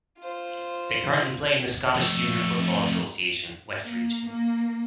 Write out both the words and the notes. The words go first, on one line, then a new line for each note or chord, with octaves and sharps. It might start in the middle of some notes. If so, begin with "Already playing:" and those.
They currently play in the Scottish Junior Football Association, West Region.
F4 C5
F2 A3
A#3
A#3